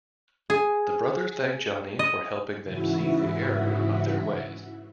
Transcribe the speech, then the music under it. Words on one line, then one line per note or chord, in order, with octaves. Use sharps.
The brothers thank Johnny for helping them see the error of their ways.
G#4
D#5
G#2 C#3 E3 E4 F#4 E5